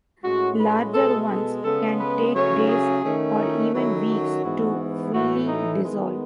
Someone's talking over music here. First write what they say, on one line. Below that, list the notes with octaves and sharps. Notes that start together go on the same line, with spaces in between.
Larger ones can take days or even weeks to fully dissolve.
A2 G#3 C#4 F#4
B4
B2 G#3 B3 A4
A4
C#3 G#3 B3 A4
B4
C#3 F#3 A3 C#4 C#5
G#4
D#3 A3 C#4
D#4
D#3 F#3 A3 C#4 E4
F#4
G#2 E3 B3
A2 E3 A3 F#4
D#4
D#3 G#3 B3